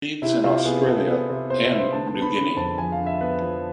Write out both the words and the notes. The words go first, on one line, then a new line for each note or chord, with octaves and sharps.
It breeds in Australia and New Guinea.
C3 E4
C3 F4
B3 G#4
B3 A4
B3
C3
B3 C5
E5
B3
C5
D3 A5
A5
B3
B5
D3 B5
F2 A5
F3 G#5
F5
D3
E5
B3 B4
F3